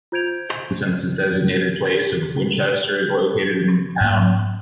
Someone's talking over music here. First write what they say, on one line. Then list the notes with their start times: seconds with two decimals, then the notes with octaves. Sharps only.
The census-designated place of Winchester is located in the town.
0.12 F4 C5 G6 G#6 D7 F7
4.01 G#2 A#3